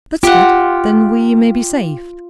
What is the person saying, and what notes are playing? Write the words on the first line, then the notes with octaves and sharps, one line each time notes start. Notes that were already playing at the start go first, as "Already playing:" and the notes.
"That's good; then we may be saved."
F4 G4 F#5